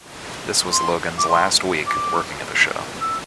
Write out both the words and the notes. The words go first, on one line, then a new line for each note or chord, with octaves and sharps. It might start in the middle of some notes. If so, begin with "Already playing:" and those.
This was Logan's last week working at the show.
C6
D6
C6
D6
E6